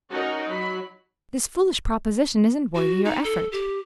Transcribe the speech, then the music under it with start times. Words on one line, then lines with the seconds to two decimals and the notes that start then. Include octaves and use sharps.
This foolish proposition isn't worthy your effort.
0.10 C#4 D#4 F#4 A#4
0.48 F#3 B5
2.75 F#4
3.05 D#4
3.24 A4
3.52 G4